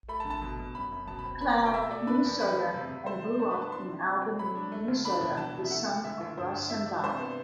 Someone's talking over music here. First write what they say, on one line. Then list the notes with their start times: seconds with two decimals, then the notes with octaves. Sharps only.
Cloud, Minnesota and grew up in Albany, Minnesota, the son of Russ and Barb.
0.08 A3 B5
0.20 A5
0.25 D3
0.30 A5
0.42 B2
0.59 B2
0.75 F#2 B5
0.92 F#2
1.07 B2 A5
1.19 B5
1.25 C4
1.41 B3 B5
1.50 C6
1.57 B2 B5
1.66 G5
1.74 A3 E5
1.91 A3 D5
2.07 D4 B4
2.24 E2
2.40 A3 B4
2.57 A3
2.74 C3
2.90 C3
3.06 A3 C5
3.22 A3
3.39 D4 C5
3.51 B4
3.56 D4
3.62 A5
3.72 E3 C6
3.89 C3
4.06 C4
4.22 C4
4.39 F#3 B5
4.55 D4
4.72 A3
4.88 D2
5.05 D4 B5
5.21 B2
5.37 E3 A5
5.55 C3
5.65 E5
5.70 A3 F#5
5.87 A3
6.04 D2 E5
6.21 D2
6.37 G2 C5
6.53 G2
6.70 E3 E5
6.86 D4
7.03 C3 C5
7.19 B3